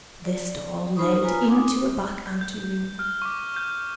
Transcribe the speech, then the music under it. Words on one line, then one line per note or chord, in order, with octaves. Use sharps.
This door led into a back anteroom.
D5
D#4 F4 C5 B5 C#6 D#6
F4 B4 C#5 G#5 A#5
C4 D#4 G#5 D6 D#6
G6
F6
C#6 D6
G6